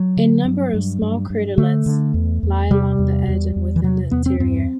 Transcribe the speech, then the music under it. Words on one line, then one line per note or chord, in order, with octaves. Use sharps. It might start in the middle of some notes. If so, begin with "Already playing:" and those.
A number of small craterlets lie along the edge and within the interior.
Already playing: F#3
D3
G2
G2
G2
G2
D3 A3
D3
E2
E2
C3 G3
E2
E2
E2
E3
C3 F#3
E2 B3
C4
G2 C4